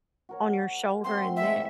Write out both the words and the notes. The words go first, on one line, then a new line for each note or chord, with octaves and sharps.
on your shoulder and neck,
F#4 A#4 C#5
A3 C4 F#4 C6
E3 G#3 E5